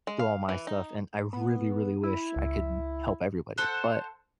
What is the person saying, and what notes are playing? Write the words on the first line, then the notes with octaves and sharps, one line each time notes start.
do all my stuff, and I really, really wish I could help everybody, but,
G#3
F5
E3
D#4
B3
E4
C#2
A4 C5 F#5